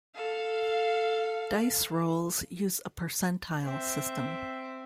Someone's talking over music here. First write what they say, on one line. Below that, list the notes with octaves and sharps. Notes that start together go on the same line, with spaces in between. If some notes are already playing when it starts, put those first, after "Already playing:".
Dice rolls use a percentile system.
A4 F5
C4 E5